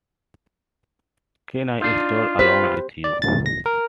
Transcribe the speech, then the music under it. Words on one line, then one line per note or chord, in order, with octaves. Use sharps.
Can I stroll along with you?
D4 D#4 F4
G4 B4 C5
D5
A6
A#6
A#4